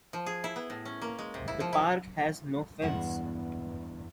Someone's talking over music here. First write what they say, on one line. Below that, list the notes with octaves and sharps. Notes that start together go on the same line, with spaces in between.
The park has no fence.
F3
G#4
E4
B3
A2
C#4
A#3
G#3
C3
E4
F3
E4
E2 G2 G#3 B3 E4 F#5